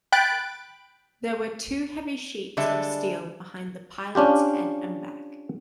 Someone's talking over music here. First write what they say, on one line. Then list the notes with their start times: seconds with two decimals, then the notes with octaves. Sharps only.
There were two heavy sheets of steel behind the pilot's head and back.
0.12 G5 B5 F#6 A6 D7
2.57 D3 G3 G#3 A4 E5
4.15 C#4 D4 F4 G4